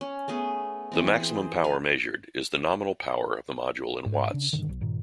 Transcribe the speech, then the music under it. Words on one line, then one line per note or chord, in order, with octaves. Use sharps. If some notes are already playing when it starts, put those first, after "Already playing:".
The maximum power measured is the nominal power of the module in Watts.
C#4
A3 B3 G#4
E3 B3 C4
G#4 C5
A4 F5 G#5
G#2
C#3 D4
G2 B2 D3 D#3
B1
G2 A#2 D#3